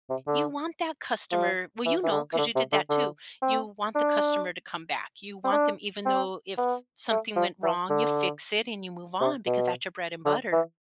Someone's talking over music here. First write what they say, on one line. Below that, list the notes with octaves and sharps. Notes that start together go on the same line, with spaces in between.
you want that customer well, you know, 'cause you did that too you want the customer to come back, you want them even though if something went wrong, you fix it and you move on because that's your bread and butter.
C3
D3
F3
E3
E3
D3
E3
D3
C3
D3
D3
C4
D4
C4
D4
C4
B3
A3
F3
E3
D3
C3
B2
D3
E3